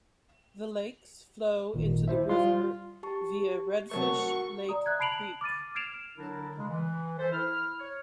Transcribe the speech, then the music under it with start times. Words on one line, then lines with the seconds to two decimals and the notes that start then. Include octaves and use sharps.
The lakes flow into the river via Redfish Lake Creek.
1.74 G#1 A#2 D#3
2.08 E4 C5 E5
2.29 G3 F4 C6
3.03 G4 A5 C#6
3.91 C3 F#3 A3 F#4 A#4 A5 C#6
4.69 D5 A#5 D#6
4.86 E5 F#6 G#6
4.99 A5 B5 C7 D7 F7 F#7
5.41 D6 F6 A6 D#7
5.75 F6 G#6 C7 D7 E7 F7
6.18 D3 F#3 D4 E4 A#4
6.58 C#3 G#3
6.70 E3
7.18 A4 C5 E5
7.32 E4 F6
7.79 C#5